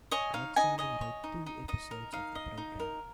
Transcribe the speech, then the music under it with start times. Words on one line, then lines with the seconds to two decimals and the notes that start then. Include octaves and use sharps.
Rod Serling wrote two episodes of the program.
0.11 C#5 D#5 G#5
0.34 D#4 F5
0.56 D#4 D#5 G#5
0.78 C#5 D#5 G#5
1.01 C#5
1.24 D#4
1.46 D#4
1.68 D#4 D#5
1.91 A#4
2.13 D#4 F5
2.35 D#5
2.58 D#4
2.80 A#4